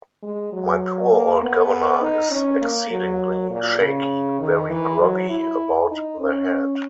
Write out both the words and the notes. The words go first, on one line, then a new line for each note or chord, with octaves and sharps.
My poor old governor is exceedingly shaky, very groggy about the head.
G#3
F#3
A#3
B3
D#4
C#4
A#3
F#3
A#2
C#3
D#3
E3
F#3
E4
D#4
C#4